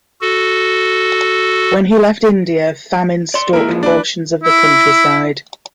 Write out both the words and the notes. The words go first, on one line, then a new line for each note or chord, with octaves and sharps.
When he left India, famine stalked portions of the countryside.
F#4 A4
D5 C6
A#2 E3 G#3 E4 A#4
F3
D4 B4
E4